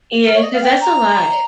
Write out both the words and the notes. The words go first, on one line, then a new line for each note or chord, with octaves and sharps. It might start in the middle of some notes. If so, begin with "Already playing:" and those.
Yeah, 'cause that's a lot.
A#4
C#5
D#5
F5
G5
A#5